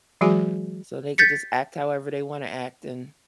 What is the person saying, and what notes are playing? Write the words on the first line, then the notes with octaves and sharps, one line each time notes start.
so they could just act however they wanna act and
E3 F#3 G#3 F#4 G#4 G#5
G6 A6 B6 C#7